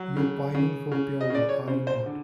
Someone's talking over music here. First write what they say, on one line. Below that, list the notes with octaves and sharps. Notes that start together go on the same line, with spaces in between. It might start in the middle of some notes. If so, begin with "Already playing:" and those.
You’re pining for pure love, are you not?
Already playing: F#3
C#3
C#3
C#3
D#5
C#3 D5
C#5
C#3 C5
C5
D3